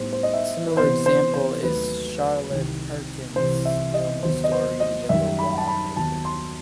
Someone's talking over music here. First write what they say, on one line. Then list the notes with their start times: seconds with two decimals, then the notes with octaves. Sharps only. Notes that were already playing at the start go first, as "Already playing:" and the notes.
A similar example is Charlotte Perkins Gilman's story "The Yellow Wallpaper".
Already playing: A2 G3 B3 D#4 C5
0.13 C5
0.23 D#5
0.34 E5
0.67 B4
0.76 C3 E3 B3 C5
1.06 C5
1.34 C5
1.63 D#2 D#3 F#3 A3 B4
2.50 C2 C3 D#3
3.36 C2 C3 E3 C5
3.65 E5
3.94 D#5
4.23 D#2 D#3 F#3 B3 C5
4.44 D#5
4.52 C5
4.80 D#5
5.09 F#2 D#3 G3 E5
5.39 B5
5.58 A5
5.67 B5
5.96 D#2 D#3 F#3 B3 A5
6.25 C6